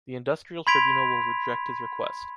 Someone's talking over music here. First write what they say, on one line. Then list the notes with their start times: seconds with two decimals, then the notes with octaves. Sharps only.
The industrial tribunal will reject his request.
0.67 B5 C6 G#6 B6 D7 F7